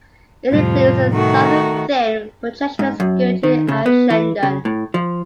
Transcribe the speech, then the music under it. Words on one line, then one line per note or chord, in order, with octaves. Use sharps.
It includes a southern thin projection skirting Ashendon.
F2 A2 C3 F3 G3
D#3 A3 F#4
G#2
F#2
D#3
C#3
B3
E3
C#3
A2
F3